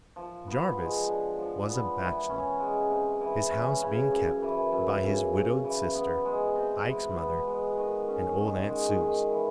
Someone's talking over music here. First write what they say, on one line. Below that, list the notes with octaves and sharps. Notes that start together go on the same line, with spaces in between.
Jarvis was a bachelor, his house being kept by his widowed sister, Ike's mother, and old Aunt Suse.
F3
B3
G#3
D3
F3
B3
E3
C#4
G#3
C3
E3
C#4
C#3
F#2
E3
F#2
C#3
F#2
E3
B3
G#3
C3
E3
B3
G#3
D#3
C#4
D#3
G#3
D#3
E3